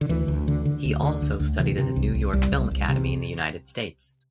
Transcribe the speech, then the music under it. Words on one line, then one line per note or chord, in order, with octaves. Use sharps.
He also studied at the New York Film Academy in the United States.
D3
D2 E3
D2
D3
D3
D2
D3
D2
D2
C3 E3
C3
C2
C2
C2 G3
C2
C2
C3